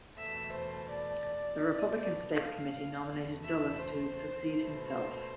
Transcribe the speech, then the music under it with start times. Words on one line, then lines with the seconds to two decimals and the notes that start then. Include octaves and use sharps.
The Republican State Committee nominated Dulles to succeed himself.
0.17 E2 B2 A3 E5
0.54 C5
0.89 D5
1.62 B2 A3
1.98 D5
2.34 F5
3.07 E2 B2 A3
3.43 E5
3.78 C5
4.52 B2 A3
4.88 C5